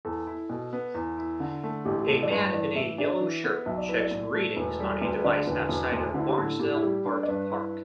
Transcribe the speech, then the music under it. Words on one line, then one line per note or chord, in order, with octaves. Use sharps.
A man in a yellow shirt checks readings on a device outside of Barnsdall Art Park.
E2 A4
E4
B2
B3
E2
E4
D3
A3
A1 G4
G4
A1 A4
D5
G2 B4
E3 D5
A2 E5
D4
E3
B3
B1 E5
D5
E4 B4
D5
A2
A3
E1 B4
G3 A4
D2 B4
B4
D3 D5
E1 B4
E1
D2
D3 E4
G4
A2 A4
A2 G4
E4
G3 G4
D4 B4
D5
G2 B4
E4